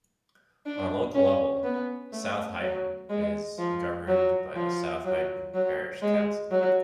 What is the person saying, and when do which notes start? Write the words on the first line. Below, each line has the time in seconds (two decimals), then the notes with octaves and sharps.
On a local level, South Heighton is governed by the South Heighton Parish Council.
0.66 D4
1.15 C#4
1.64 B3
2.12 A3
2.61 F#3
3.10 G#3
3.59 F3
4.08 F#3
4.56 F3
5.05 F#3
5.54 F#3
6.03 G#3
6.51 F#3